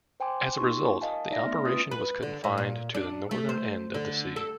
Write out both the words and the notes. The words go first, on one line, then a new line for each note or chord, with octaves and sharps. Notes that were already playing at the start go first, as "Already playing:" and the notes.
As a result, the operation was confined to the northern end of the sea.
C5 G5 G#5 C6 D6
A#3 D#4 F4 G4 C6 C#6
A#4 D#5 F5 G#5 A5
D#4 D5 E5 A#5 A#6
A3 B3 C6 F6
C#4 F4 B4 D#6 A6
B4
D3
A2
A#2
D4
A3
C5
D3
A4